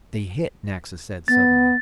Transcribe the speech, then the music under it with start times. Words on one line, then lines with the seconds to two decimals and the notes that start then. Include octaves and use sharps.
"They hit!" Naxa said suddenly.
1.28 B3 A6